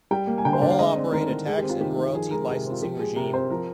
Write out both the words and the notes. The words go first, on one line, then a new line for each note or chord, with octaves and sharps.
All operate a tax and royalty licensing regime.
G3 G5
A#3
G#5
D3 G5
C5
D3 D5
F5
G#3 D#5
C4 D5
D#3 A#4
D#3
G#3 G#4
G4
C4
F4
D#3 G4
D#3
F3 G#4
G#3 A#4
C3 G#4
C4 F4
F3 G4
G#3 G#4
C3 A#4
C4 C5
F3 A#4